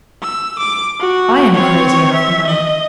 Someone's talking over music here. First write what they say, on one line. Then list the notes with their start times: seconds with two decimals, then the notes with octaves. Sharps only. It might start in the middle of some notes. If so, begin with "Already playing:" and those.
I am crazy after money.
0.22 E6
0.58 D6
0.99 F#4
1.54 C4 C#5
2.13 E5
2.47 D#5